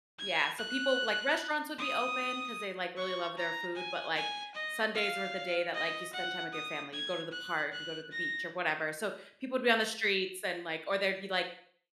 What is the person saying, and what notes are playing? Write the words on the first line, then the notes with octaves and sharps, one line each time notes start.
Yeah, so people like restaurants would be open 'cause they like really love their food, but like, Sundays were the day that like you spend time with your family, you go to the park, you go to the beach, or whatever, so people would be on the streets, and like, or there'd be like
G#6
F#6
D#6
C#6
A#5
G#5
G#5
D#5
F5
D#5
F#5
D#6
G#6
F#6
F#6
A#6